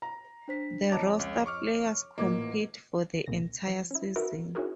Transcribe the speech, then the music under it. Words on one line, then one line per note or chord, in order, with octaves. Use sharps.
The roster players compete for the entire season.
A#5
D4 C5 B6
F2 C#5 D#5 A5 A#5 D6
C#2
C#6 D6 F6
A1 A#2 A#3 D#5 D6 G#6
C2 A#2 C#3 A#6
F3
C#4 E4
D#4 F#4 A#4 B4 E5
C#4 D#4 E4 F#4 G#4 A#4